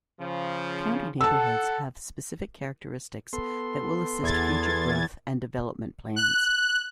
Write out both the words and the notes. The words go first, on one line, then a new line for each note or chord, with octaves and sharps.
County Neighbourhoods have specific characteristics that will assist future growth and development plans.
C#3 F3
A4 F#5 A5 E6
B3 A4 C6
E2 G#6 A6
F#6